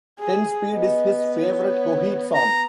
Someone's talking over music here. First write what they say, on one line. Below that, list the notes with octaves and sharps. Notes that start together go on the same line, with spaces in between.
Ten Speed is his favorite Coheed song.
G#4
B3 D#5
C#5 G#6
A#5